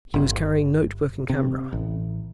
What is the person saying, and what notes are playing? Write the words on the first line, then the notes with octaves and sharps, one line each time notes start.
He was carrying note-book and camera.
G1
C3
A1